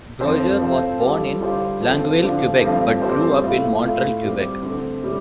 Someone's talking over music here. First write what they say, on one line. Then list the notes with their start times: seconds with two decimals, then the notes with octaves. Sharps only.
Brodeur was born in Longueuil, Quebec, but grew up in Montreal, Quebec.
0.20 F2 F3 C4 A4 C5
0.60 F3 C4 F4 A4 C5
1.00 G3 F4 A4
1.41 D3 G3 F4 C5
1.81 F3 C4 A4 C5
2.22 D3 F3 D4 F4
2.61 G2 F3 A3 C4 F4
3.02 G3 C4 A4 C5
3.42 A2 A3 F4
3.82 A2 A3 F4
4.23 G3 C4 G4
4.62 D3 A3 C4
5.03 A2 G3